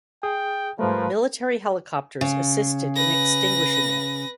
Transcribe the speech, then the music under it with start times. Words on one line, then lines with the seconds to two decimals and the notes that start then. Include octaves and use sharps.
Military helicopters assisted in extinguishing it.
0.23 G#4 G5 D#6
0.79 G#2 F3 G3 A3 A#4 B4
2.21 C#3
2.96 B4 A#6